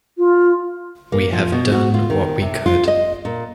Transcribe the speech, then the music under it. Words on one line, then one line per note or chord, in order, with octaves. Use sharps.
We have done what we could.
F4
A#3
F3
B2
F#4
F4
D#3
C3
F4
D#5
A#2